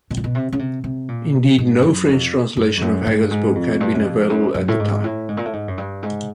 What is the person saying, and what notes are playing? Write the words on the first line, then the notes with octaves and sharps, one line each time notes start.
Indeed no French translation of Haggard's book had been available at the time.
B2
A#2
B2
C3
C#3
C3
C3
A#2
G#2
F#2
F2
G2
F2
F#2
G#2
G2
G#2
F2
G2
F#2
F2
F#2
F#2
A2
G#2
A2
G#2
A#2
A2
G#2
F#2
G2
G#2